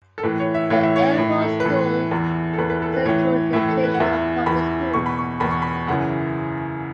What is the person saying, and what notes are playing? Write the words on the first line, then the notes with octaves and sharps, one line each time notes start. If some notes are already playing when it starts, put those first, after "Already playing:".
The Air Force School is a co-educational public school.
A4
A2 E3 B4
C#5
E5
A2 E3 C#5
E5
C#5
A2 E3
A4
B4
A2 E3 A4
E2 E3
A4
E2 E3 B4
B4
A4
B4
A2 E3 C#5
A2 E3 E5
A4
B4
F#5
E2 E3 E5
E2 E3 B5
E2 B2 C#6
B5
C#6
E2 B2 B5
C#6
B5
F#2 C#3 E3 F#5